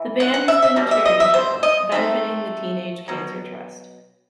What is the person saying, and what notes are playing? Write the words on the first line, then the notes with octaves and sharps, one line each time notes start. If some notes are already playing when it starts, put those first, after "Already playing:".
The band was playing a charity show, benefiting the Teenage Cancer Trust.
Already playing: E3
F#5
F#5
E5
E5
B2 G3
E5
D#5
E5
C5
D#5
D#3 A3 C4 E5
B2 F#3